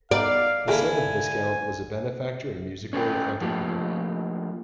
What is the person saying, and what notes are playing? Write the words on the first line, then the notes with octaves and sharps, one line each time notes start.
The seventh Viscount was a benefactor and musical antiquarian.
B3 D#4 D5 F5
D3 A#3 E4 G#4 F5 G#5
C#4 A4 B4 G5
F3 A3 A#3 F4 G4